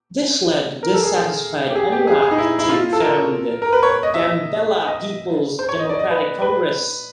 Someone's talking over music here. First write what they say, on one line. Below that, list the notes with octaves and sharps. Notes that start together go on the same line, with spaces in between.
This led dissatisfied Anuak to found the "Gambella People's Democratic Congress".
A#4
A4
G#4
G#4
G4
G#4
G4
G#4
G#4
D#4
E4
E4
F4
A4
A#4
A#4
B4
C#5
D#5
E5
E5
D#5
C5
C#5
D#5
D5
D#5
B4
B4